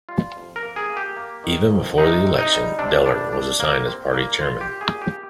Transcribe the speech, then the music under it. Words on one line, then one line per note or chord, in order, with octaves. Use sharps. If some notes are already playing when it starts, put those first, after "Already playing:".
Even before the election Dehler was assigned as party chairman.
G3 F4
F2
A#4
A#3
G#4
A#3
G4
A#3
D#3
F2
C3 D#4
C3
D#4
G3
C3 D4
G3 D4
C3 D4
G3 A#3
A#2 C4
G3 A#3
G3 F4
G4
A#2
G#4
A#2
G4